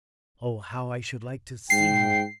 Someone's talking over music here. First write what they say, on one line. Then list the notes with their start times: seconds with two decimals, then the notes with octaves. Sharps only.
Oh, how I should like to see her!
1.70 G#2 G5 C7